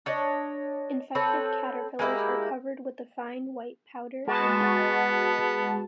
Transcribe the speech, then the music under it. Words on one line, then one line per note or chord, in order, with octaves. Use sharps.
Infected caterpillars are covered with a fine white powder and die.
D4 C#5 D#5
C4 A4 B4 C#5
G#3 A#3 E4 G4
G#3 B3 F#4 A5